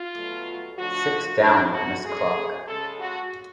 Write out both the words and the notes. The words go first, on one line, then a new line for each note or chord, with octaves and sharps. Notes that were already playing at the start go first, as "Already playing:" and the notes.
Sit down, Miss Clark.
Already playing: F4
B2 F#3 A3
D3 F3 A3 F#4
B2 F#3 A3 D4
F#4
C#3 F#3 A3 G#4
C#3 G#3 A4
F#4